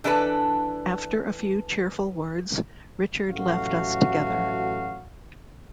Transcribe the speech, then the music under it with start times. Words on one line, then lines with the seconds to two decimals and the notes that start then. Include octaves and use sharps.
After a few cheerful words, Richard left us together.
0.04 E3 D4 A4 B4
3.29 A1 F#3 A3 F#4 F5